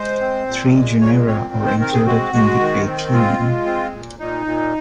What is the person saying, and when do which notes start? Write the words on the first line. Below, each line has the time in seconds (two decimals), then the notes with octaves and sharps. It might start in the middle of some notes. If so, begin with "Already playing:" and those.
Three genera are included in the Aythyini.
Already playing: G#3 C5
0.21 C4
0.47 A#2
0.73 G#3
1.00 A#2 C#5
1.27 C4 C#5
1.54 D#3
1.66 C5
1.80 C4 A#4
1.93 G#4
2.07 G#3 F#4
2.33 G#3
2.60 D#3
2.86 C4
3.13 G#3 F4
3.40 G#3
3.66 C4
3.93 A#2
4.19 A#2 D#4
4.46 A#2